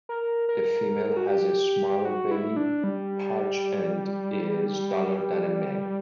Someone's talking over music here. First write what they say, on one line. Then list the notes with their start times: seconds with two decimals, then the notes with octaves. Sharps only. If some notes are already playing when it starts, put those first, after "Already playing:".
The female has a smaller belly patch and is duller than the male.
0.09 A#4
0.49 A#4
1.17 F#4
1.27 G4
2.05 F#4
2.31 E4
2.56 D4
2.84 G3